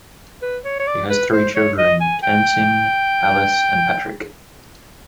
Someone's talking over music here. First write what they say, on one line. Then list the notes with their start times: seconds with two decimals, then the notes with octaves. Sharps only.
She has three children: Tamsin, Alice and Patrick.
0.42 B4
0.65 C#5
0.80 C#5
0.88 D5
1.10 B4
1.33 C5
1.56 C#5
1.78 D#5
2.01 G#5
2.24 G5